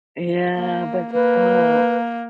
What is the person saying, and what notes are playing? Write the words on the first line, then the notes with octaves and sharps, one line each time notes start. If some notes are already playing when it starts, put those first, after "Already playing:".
Yeah, but, aw
A#3
A#3 B4